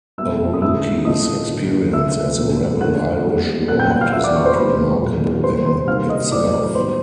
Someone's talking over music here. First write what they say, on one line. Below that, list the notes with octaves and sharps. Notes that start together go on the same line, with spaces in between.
O'Rourke's experience as a rebel Irish lord is not remarkable in itself.
B2 G3 A#3 E5 E6
D#6
D3 F3 G#3 E5 E6
A2 F3 A3 D#5 D#6
D3 F#3 A#3
C3 F3 A#3 E5 E6
A#2 F3 G#3 B3
D3 F3 A3 F#5 F#6
D#3 G3 A#3
A#2 F#3 B3 F#5 F#6
G5 G6
F#5 F#6
F5 F6
C#3 F3 A#3 E5 E6
D5 D6
C#6
C5 C6
B2 G#3 B3 B4 B5
A#2 F#3 A#3
C3 D#3 G3 C5 C6
C5 C6
C3 D#3 G3 A#3 F5 F6
D#5 D#6
A2 F#3 A3 D5 D6
D#3 G3 B3 C5 C6